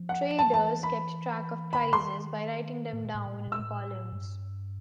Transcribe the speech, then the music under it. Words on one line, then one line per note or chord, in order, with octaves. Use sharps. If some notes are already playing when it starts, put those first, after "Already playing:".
Traders kept track of prices by writing them down in columns.
Already playing: F3
F#5
A5
F3
E3 A5
B5
D#3 B5
D3
D#3 C6
A2
A#2
A2
A#2
A2
A#2 E6
A2
G2